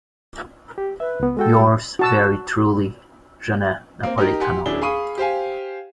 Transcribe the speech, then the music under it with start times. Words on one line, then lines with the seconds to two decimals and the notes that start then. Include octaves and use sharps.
Yours very truly, Janet Napolitano.
0.78 G4
1.00 B4 E5
1.20 C#2 B3
1.37 G#3 F#4 A4 G5
1.99 F#4 A5 E6
4.03 A#3 C4
4.18 D#4 G4 A#4
4.40 G4 F#5 G#5 C6
4.66 D#1 F#3 D4 E4 G#4 G7
4.82 G#4 F5 B5 C#6 D#6 D#7
5.18 G4 C5 F5 G#5